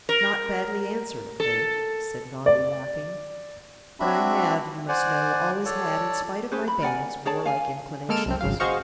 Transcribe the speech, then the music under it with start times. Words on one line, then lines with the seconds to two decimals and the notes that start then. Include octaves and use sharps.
"Not badly answered, i'faith," said Gondy, laughing; "but I have, you must know, always had, in spite of my bands, warlike inclinations."
0.09 A#4
1.40 A4
2.46 D5
4.00 C4 D4 F#4 E5 B5
4.89 C5 D5 F#5 G#5
5.65 A4 C#5 D5 A5
6.51 C#4 G#4 B4 C5
6.68 B5
6.82 A#4 D5 F#5 G#5
7.25 G#4 C#5 D5 A5
7.45 F5 G#5
8.09 G#3 A#3 A4 F6 D7 E7
8.26 C2 F#2 C4
8.41 G#1 C#3 F#3 F5
8.60 F#4 G#4 C5 D#5 F5 C#6